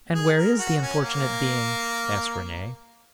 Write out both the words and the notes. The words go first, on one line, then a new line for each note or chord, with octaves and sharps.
"And where is the unfortunate being?" asked Renee.
G#4
A#4
F#4
C#4
A#3